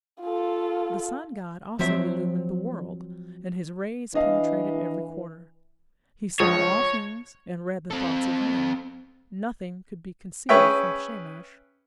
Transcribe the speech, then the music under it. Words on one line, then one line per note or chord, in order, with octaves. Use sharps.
The sun god also illumined the world, and his rays penetrated every quarter: he saw all things, and read the thoughts of men; nothing could be concealed from Shamash.
F4 A4
F3 F#3 C4 E5
E3 D4 D#5 F5
C#2 F3 C#5 D#6
C4 A4
C#4 G#4 B4 C#5 E5 G5